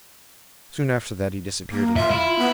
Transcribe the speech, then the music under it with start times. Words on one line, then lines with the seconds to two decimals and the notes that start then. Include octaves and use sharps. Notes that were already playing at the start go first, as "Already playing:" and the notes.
Soon after that he disappeared again.
1.71 A#3
1.96 F4 E5
2.11 E4
2.39 B3